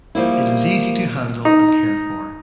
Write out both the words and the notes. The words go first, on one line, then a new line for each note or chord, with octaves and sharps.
It is easy to handle and care for.
F3 G3 A#3 E4
D#4